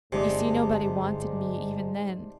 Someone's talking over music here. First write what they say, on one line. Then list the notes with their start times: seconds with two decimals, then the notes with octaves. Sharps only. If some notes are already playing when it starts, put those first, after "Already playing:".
You see, nobody wanted me even then.
0.12 G1 G#2 C3 G#3 D4 D5